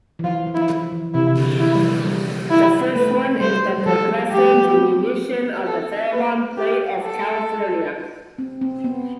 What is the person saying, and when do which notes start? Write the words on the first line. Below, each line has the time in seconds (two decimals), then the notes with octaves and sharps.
The first one is the progressive diminution of the Farallon plate off California.
0.19 E3
0.24 F3 F4
0.47 F3
0.54 E4
0.70 F3
0.92 E3
1.14 C3 E4
1.37 D3
1.60 E3 E4
1.75 G3
1.83 F3
2.05 G3
2.50 E4
2.96 A3 B4
3.41 G3 C5
3.78 G3
3.86 F3 A4
4.31 A3 G4
4.54 B3
4.77 C4
5.67 A4
6.12 B4
6.57 G4
7.03 A4
8.38 C4
8.61 C4
8.84 B3